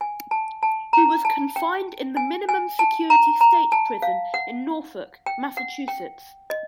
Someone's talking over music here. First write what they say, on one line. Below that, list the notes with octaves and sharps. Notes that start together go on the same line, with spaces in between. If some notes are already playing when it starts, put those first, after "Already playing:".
He was confined in the minimum security state prison in Norfolk, Massachusetts.
G#5
A5
A5
A#5
A5
G5
G#5
G#5
A5
A#5
A#5
A5
F5
F#5
G5
F#5
G5
D#5